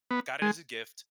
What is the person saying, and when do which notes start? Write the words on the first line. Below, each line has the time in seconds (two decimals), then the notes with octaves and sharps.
Got it as a gift,
0.11 B3
0.42 G#3